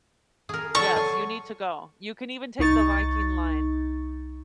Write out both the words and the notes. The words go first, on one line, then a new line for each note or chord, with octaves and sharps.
Yes, you need to go. You can even take the Viking Line
G#4 A#4
F#3 A4 D5 C#6
G#5 C6
C2 D#4 C#6 A6